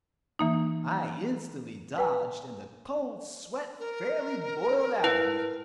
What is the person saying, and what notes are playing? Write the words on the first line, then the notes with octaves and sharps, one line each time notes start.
I instantly dodged, and the cold sweat fairly boiled out of me.
E3 A#3 D#4
B4 G#5
A#4
E4 B4